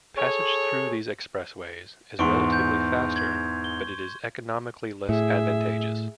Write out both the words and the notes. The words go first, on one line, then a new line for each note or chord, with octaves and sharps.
Passage through these expressways is relatively faster but it is economically less advantageous.
G#4 A4 C#5
E2 G#2 C6 C#6 D7
G6
G#6
G7
A2 G#4 E5